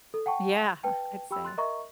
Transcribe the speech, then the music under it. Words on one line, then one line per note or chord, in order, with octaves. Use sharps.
Yeah, I'd say.
A4
F#5 G5 A5 C#6
B4 G5 A5
G4 G5 B5 E6
C6 F#6 A6
A#4 D#5 E5 A#5 C#6